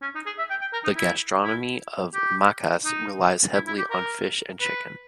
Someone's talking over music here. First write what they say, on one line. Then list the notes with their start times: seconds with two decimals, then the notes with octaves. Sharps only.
The gastronomy of Macas relies heavily on fish and chicken.
0.02 C#4
0.15 D#4
0.26 G#4
0.38 E5
0.50 G5
0.61 G5
0.73 A#4
0.84 D#4
0.96 E4
1.43 E4
2.14 G4
2.85 D#4
3.54 E4
3.67 E4
3.78 G4
3.90 A#4
4.61 B4